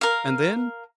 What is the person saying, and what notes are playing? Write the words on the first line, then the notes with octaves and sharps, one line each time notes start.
"And then?"
A#4 F5